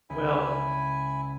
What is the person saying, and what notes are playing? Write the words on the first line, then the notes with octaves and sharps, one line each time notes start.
Well, uh,
C#2 E4 G#5 B5